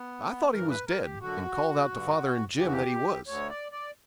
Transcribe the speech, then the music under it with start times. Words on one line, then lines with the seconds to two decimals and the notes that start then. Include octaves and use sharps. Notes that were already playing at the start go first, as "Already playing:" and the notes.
I thought he was dead, and called out to father and Jim that he was.
Already playing: B3
0.52 G2 E3 A#4
0.70 B4
0.86 A#4
1.03 G4
1.20 F#2 D3 F#4
1.89 G2 D3
2.58 E2 C#3 E3 G4
2.66 F#4
2.72 G4
3.26 D2 D3 C#5
3.50 D5
3.72 D5